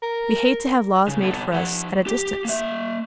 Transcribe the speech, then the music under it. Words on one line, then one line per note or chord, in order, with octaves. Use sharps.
We hate to have laws made for us at a distance.
A#4
C#3
B2 A4
F3 F#5
G4
A#3 E5